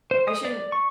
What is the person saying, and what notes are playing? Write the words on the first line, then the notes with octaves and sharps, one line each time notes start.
I shouldn't
C5
D#6
D5
C#6